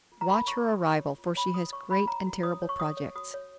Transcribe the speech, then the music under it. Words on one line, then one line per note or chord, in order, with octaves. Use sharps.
Watch her arrival, for she has great and terrible projects.
F4
A#5
A#4 B5
C#5 C#6
F4 D#6
F4
C#5
F4
C#5 B5
F#4 D#6
C#5 C#6
F#4 B5
C#5 A#5
F#4
C#5 D#6
C#5
C#6
C#5 D#6
C#5
F#4 D#6
C#5